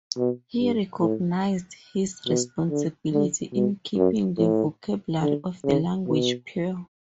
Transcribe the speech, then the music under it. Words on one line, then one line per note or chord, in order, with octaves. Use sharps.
He recognized his responsibility in keeping the vocabulary of the language pure.
B2
G2
A2
B2
D3
D3
B2
F#2
A2
D3
C#3
B2